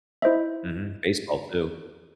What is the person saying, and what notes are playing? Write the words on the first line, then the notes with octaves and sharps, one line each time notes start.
Mhm, baseball too.
E4 C5 D#5 E5